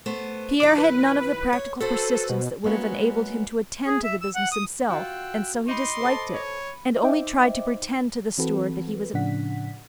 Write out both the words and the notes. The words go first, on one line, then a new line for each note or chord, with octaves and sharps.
Pierre had none of the practical persistence that would have enabled him to attend to the business himself and so he disliked it and only tried to pretend to the steward that he was attending to it.
A3 B3 C5
F#2 D#3 E4 D6
B4
C#5
F#4 A4 B4 C5
B2
G#3 A#3 B3 C#4 F#4
G#4
E5
E6
F#5
D#6
F4 F#4 G5 E6 F#6
D#4 D#5 B5 C6 D6 C#7 D#7
A4 C5
C#5
D#4 C5 D#5 E5 G5 D6
E3 C4 F#4 A4 B4
A2 C#3 F3 D4 F#5 B6